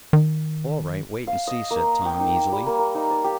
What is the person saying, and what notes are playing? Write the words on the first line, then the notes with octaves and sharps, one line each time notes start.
"All right, wait and see," said Tom, easily.
D#3
F5
D#5
A#3
G5
D#4
D6
G3
A#3
A#3
D#4
D5
G4